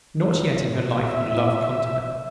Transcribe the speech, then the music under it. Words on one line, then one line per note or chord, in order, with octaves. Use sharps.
Not yet in her life had love come to her.
E5